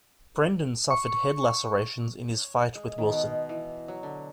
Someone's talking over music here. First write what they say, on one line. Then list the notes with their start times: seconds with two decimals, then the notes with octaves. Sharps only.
Brenden suffered head lacerations in his fight with Wilson.
0.91 C#6
2.31 C#5
2.75 G#3
2.98 D#3
3.12 B2
3.49 E3
3.88 F#3
4.03 D3